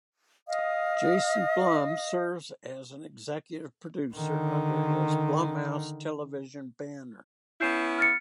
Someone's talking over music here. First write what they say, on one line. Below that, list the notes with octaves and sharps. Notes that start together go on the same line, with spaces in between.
Jason Blum serves as an executive producer under his Blumhouse Television banner.
D#5 F5 D#6
D3 D#3
B3 C#4 E4 G6 C7 E7
F6 A6 C#7